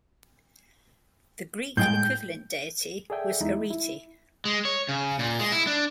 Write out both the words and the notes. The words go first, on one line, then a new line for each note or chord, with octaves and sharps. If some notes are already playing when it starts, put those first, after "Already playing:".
The Greek equivalent deity was Arete.
A2 G#3 G5 G6
G#4 A4 D5 E5 G5 G#5
E2 G#3 D#4 E4
E4
G#3
C#5
C#3
A#2
G#3
E4
D4